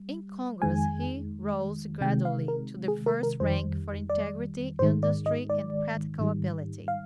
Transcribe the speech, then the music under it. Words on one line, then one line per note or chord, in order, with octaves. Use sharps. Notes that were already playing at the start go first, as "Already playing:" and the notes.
In congress he rose gradually to the first rank for integrity, industry and practical ability.
Already playing: G3
F2 D#3 G#3 G#5
C3 D#3 G#3 G5
F5
A#4
G#4
A#4
A#4
F2 D#3 G3 C5
D5
G#2 D#3 G#3 C5
D5
D#5
D5
G#2 D#3 G3
F5